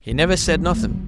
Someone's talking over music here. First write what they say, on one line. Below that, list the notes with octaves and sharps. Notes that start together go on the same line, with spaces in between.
He never said nothing.
A2
F3
F#3
A3
F#3